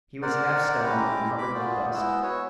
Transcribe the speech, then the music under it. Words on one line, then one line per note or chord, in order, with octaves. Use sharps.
He was half stunned and covered with dust.
A#4 C5 D5 F#5
G#3 C#4 E4 G4 A#5 D6
B5 D6
F4 F#4 G#4 C5 D5
G#3 B3 E4 B4 D#5 E6
F#4 B4 C#5